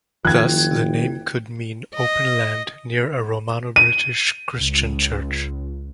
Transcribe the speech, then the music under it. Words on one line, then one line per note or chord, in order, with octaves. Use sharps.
Thus the name could mean 'Open land near a Romano-British Christian church'.
F#1 D#3 F3 F4 G5 F#6 G#6
D#5
D#7
C#2